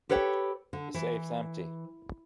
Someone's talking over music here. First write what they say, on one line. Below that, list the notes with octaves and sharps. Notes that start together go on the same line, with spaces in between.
The safe's empty.
G4 A4 B4 C#5 F#5 G5
D3
E3